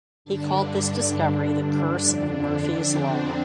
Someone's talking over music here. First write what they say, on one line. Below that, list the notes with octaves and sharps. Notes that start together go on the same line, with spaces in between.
He called this discovery the Curse of Murphy's Law.
G2 D3 D4
D4
F2 D3
C4
D4